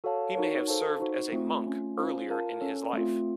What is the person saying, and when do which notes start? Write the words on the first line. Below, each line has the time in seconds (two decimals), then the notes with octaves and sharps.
He may have served as a monk earlier in his life.
0.04 F#4 A4 C#5 F5 A5
0.35 D#4 F#4 A#4 C#5
0.68 F#4 A4 C5 F5 A5
1.00 D#4 F#4 C5
1.32 A3 C4 F4
1.65 A3 C#4 F4
1.97 C#4 F4 C5 F5
2.29 F4 A#4 F5 A5
2.61 C#4 A4 C#5
2.93 A3 C4 F4